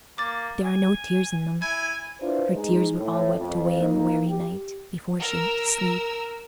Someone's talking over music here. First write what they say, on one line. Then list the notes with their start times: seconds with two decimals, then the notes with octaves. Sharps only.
But there are no tears in them: her tears were all wept away in the weary night, before she went to sleep.
0.18 A#3 D6 A6
0.64 G#5
1.62 E4 G#5 G#6
2.21 D4 E4 F4 B4 C5
2.53 G#3 D#4
2.98 A2
3.39 F2
3.80 A#3 D#4
4.26 G4
5.21 A#4 E6